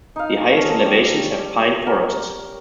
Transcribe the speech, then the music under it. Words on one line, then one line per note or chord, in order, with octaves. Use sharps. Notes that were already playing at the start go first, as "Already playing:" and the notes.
The highest elevations have pine forests.
D#4 F5
C#4 A4
G3 E6
A#4